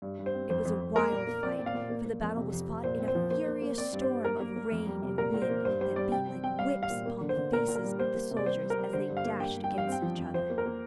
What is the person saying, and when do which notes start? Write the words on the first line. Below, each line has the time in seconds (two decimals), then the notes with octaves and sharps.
It was a wild fight, for the battle was fought in a furious storm of rain and wind that beat like whips upon the faces of the soldiers as they dashed against each other.
0.02 G2
0.19 G2
0.26 C5
0.34 C4
0.50 F2 C5
0.65 F2
0.81 F2
0.96 A#3 A#4
1.12 A#2
1.27 A#3
1.43 C4 D5
1.59 A#2
1.66 F5
1.75 A#2
1.90 A#3
2.06 A#3
2.21 F2
2.37 C3
2.52 F2
2.69 F2
2.84 A#2 C5
2.99 C4
3.08 C5
3.15 F3
3.31 A#3 C5
3.47 A#3
3.62 A#3
3.78 C4 D5
3.93 G2
4.02 C5
4.09 G2
4.24 A#3 A#4
4.40 A#3
4.56 A#3
4.72 F2
4.87 G3
5.02 C3
5.18 A#2 A#4
5.34 A#2
5.42 C5
5.50 A#3
5.65 G2 C5
5.81 G3 C5
5.96 G3 D5
6.12 C3 G5
6.28 C4
6.43 C4 G5
6.59 G3 F5
6.74 G3
6.83 F5
6.90 A#2
7.06 A#3
7.21 D3
7.29 C5
7.37 D3
7.52 A#2 A#4
7.68 A#2
7.76 A#4
7.84 G3
7.99 A#3 C5
8.15 A#3
8.31 C3
8.37 D5
8.46 G3 C5
8.62 G3
8.70 A#4
8.78 G3
8.93 D3 C5
9.09 G2
9.17 F5
9.24 A#3
9.40 G2 G5
9.56 G3
9.64 G5
9.71 G2
9.78 F5
9.87 C4 G5
10.02 F3
10.18 F2
10.34 F3 C5
10.50 A#3
10.58 A#4
10.66 A#3